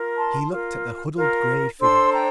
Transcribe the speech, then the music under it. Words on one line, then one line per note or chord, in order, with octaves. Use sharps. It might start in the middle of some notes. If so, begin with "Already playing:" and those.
He looked at the huddled grey figure.
Already playing: F4 A#4
A5 C6
F4 A#4
F4 A#4
D4 A4 C5 C6 E6
G5 A#5